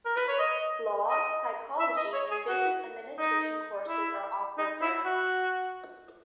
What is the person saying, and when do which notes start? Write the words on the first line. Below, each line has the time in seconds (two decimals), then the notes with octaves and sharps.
Law, Psychology and Business Administration courses are offered there.
0.05 A#4
0.16 B4
0.28 C#5
0.39 D#5
1.09 D#5
1.79 E5
1.96 D#5
2.13 C#5
2.31 G#4
2.48 F#4
3.18 D#4
3.88 E4
4.58 D#4
4.81 E4
5.05 F#4